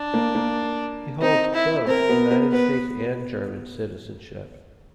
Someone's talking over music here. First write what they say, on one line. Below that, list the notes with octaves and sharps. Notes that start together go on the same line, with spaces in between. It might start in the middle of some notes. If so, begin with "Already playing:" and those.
He holds both United States and German citizenship.
Already playing: D4
A#3
A#3
C4 D#4
E4
C4 A#4
B3
B3
B3 B4